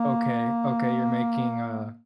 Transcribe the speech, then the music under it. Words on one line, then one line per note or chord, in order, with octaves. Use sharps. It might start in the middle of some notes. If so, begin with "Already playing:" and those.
okay, okay, you're making a
Already playing: A#3